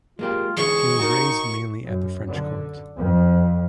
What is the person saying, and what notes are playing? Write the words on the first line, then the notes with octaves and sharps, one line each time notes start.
She was raised mainly at the French court.
G#3 A#3 F4 G4
D3 E3 G#3 G#4 C#6
D#4 F#4 A#4
F#2
D3
F2